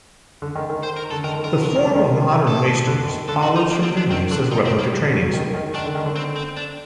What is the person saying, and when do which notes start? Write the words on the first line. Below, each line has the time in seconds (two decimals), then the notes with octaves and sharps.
The form of modern wasters follows from their use as replica training swords.
0.42 D3
0.55 D#3
0.70 D#3
0.83 C5
0.97 A#4
1.11 D3 A4
1.24 D#3 A#4
1.36 D#3
1.44 D3 A#4
1.65 D3
1.76 D#3
1.86 G3
1.95 D#3
2.47 A4
2.87 D3
3.09 D#3
3.28 D3 A4
3.43 F#4
3.56 D#4
3.70 A#3
3.83 C4
3.97 D4
4.10 D#3 C4
4.31 D3 D4
4.51 D#3 D#4
4.65 C4
4.72 G3
4.79 A#3
4.93 G3
5.13 F#3
5.33 D#3
5.54 D#3
5.74 D#3 D4
5.85 D3
5.95 D#3
6.06 D3
6.16 C4
6.36 C4
6.57 D4